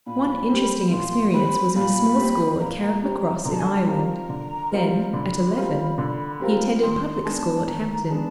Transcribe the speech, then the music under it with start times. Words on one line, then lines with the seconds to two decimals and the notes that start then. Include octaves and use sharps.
One interesting experience was in a small school at Carrickmacross in Ireland; then, at eleven, he attended public school at Hampton.
0.06 A#2 B5
0.48 G3 C4
0.91 A#2 C6
1.33 G3 C4 B5
1.75 A#2 B5
2.17 G3 C4
2.60 A#2 A#5
3.03 G3 C4
3.45 D3 A#5
3.52 A5
3.59 G#5
3.66 A5
3.87 G3 C4 F4 A#4 A#5
4.29 D3
4.71 G3 C4 F4 A#4
5.13 D3 B5
5.56 G3 C4 F4 A#4
5.98 D3
6.40 G3 C4 F4 A#4
6.82 D#3 C6
7.24 G#3 B3 D4 A5
7.67 D#3 A#5
8.09 G#3 B3 D4 A5